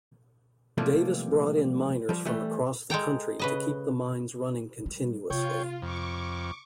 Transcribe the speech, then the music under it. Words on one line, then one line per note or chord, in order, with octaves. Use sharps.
Davis brought in miners from across the country to keep the mines running continuously.
C3 E3 F3 G3 A3 A#3
F3 G3
E3 G3 A3
G#3 A4 G5 A#5
C#3 B4 D#5
G3
C3 F4 C#5 G5
F2 C#6 D6